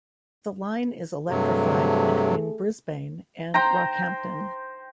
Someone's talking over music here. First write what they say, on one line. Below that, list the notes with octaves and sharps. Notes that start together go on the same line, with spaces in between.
The line is electrified between Brisbane and Rockhampton.
G2 C3 F#3 A3 G#4 A4
C5 G5 A#5